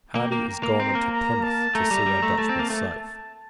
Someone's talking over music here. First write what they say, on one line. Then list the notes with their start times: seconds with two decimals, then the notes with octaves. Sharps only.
Hardy is gone into Plymouth, to see our Dutchman safe.
0.15 A#3 G5
0.32 A#3
0.48 A#5
0.63 A#3
0.80 C4
0.95 A#3
1.11 A#5
1.43 A5
1.75 A3 A#5
1.91 G3
2.06 G3
2.23 A3
2.38 A3 A5
2.49 C4
2.59 A#3
2.70 A3 A5
3.02 A5